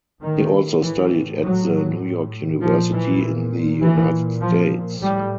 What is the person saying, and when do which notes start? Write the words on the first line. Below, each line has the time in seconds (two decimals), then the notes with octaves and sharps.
He also studied at the New York University in the United States.
0.21 A2 D#3
0.81 E3
1.41 F#3
2.61 A#2 F3
2.91 E3
3.81 E3
4.41 F3
5.01 A2 G3